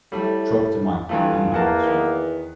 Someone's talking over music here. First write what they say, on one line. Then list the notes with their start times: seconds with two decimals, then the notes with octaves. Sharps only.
Drop the Mic, I'm out.
0.12 A2 G3 A3
1.09 G2 E3 A3 F4
1.54 E2 A#3 F#5 A5
1.84 D#3 B3